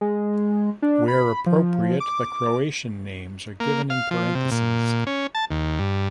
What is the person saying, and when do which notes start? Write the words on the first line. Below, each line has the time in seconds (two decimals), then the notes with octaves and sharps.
Where appropriate, the Croatian names are given in parentheses.
0.01 G#3
0.82 D4
1.08 B5
1.46 F3
2.00 D6
3.60 A#3
3.90 F5
4.11 F3
4.35 C3
4.52 A#2
5.07 C#4
5.35 A5
5.51 D#2
5.79 G2